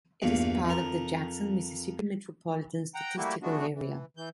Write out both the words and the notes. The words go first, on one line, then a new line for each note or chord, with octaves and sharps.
It is part of the Jackson, Mississippi Metropolitan Statistical Area.
E2 G2 A#2
F2 A#4
F#5 G5 A#5
G3 A3 A#3 E4 F#4 G4
G#3 A3 B3 D4 F#4
E3
E3 G6